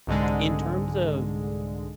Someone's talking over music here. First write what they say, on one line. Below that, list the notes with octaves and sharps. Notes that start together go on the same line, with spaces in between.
in terms of
C2 G#2 D3 G#3